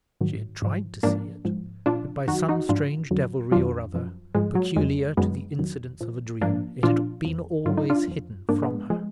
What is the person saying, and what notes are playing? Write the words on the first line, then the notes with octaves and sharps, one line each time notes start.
She had tried to see it; but by some strange devilry or other, peculiar to the incidents of a dream, it had been always hidden from her.
G#2 D#3 F#3
G#2 F3
G#2 F3 A#3 D4
G#2 F3
A#2 F3 D4 F4
F#2 D#3 F#3 D#4 F#4
D#4 F#4
G#2 F3 D4 F4
F2 D3 F#3
F2 D#3 F#3 D4 F4
F#2 F3
G#2 F3 G#3
F#3
F2 D#3 F#3 G#3
F#2 D#3 F#3 G#3 B3
F2 D#3 F#3
A#2 F3
G#2 F3 A#3 D4
A#2 F3 D4 F4
F2 F3
G#2 D#3 F#3 F4
D#4
D4 F4
F2 F3
G#2 F3 A#3 D4
G#3 B3
F3 G#3